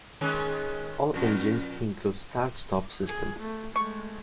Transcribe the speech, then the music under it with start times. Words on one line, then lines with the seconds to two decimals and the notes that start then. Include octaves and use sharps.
All engines include start-stop system.
0.21 D#3 G#3 C#4
1.14 F2 A#2
3.08 G#4
3.40 A3
3.76 G#3 A3 C#6